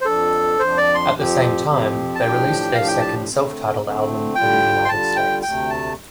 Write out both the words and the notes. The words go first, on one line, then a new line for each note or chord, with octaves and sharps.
At the same time, they released their second self-titled album in the United States.
C5
F2 F3 D4 A4
F2 F3 D4 C5
D5
C6
F2 F3 C4 G4
F2 F3 C4 G4
A5
A2 F3 D4 G4 G5
A2 F3 D4 G4 F5
G5
A5
D3 A3 C4
D3 A3 C4
D3 G3 F4 G5
C6
D3 G3 F4 A5
G5
D2 C3 A3 G5
A5